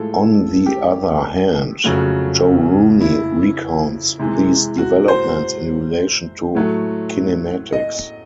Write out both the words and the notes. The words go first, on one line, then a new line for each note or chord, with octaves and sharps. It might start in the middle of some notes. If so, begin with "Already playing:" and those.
On the other hand, Joe Rooney recounts these developments in relation to kinematics.
Already playing: A2 F3 G#3 A4
G4
F2 C#3 F#3 A3 F#4
E4
C3 E3 G#3
F#4
C5
A2 F#3 A3
D#5